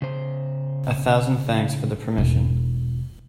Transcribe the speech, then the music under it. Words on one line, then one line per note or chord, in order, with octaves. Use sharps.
A thousand thanks for the permission.
C#3 C5
E1